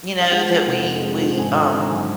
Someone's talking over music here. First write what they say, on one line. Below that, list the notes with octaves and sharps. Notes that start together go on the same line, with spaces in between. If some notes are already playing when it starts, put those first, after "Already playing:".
you know, that we we, um
F5
G#3 F#5
F3
F1
F2
G#3
F3
G#1 G#5
D3
G#1
A#5
F#2 G#5